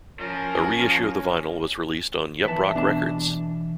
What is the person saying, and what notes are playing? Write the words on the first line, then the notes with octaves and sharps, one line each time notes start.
A reissue of the vinyl was released on Yep Roc records.
F3 C#4 A#4
E3 B4 A5
B2 D4 A5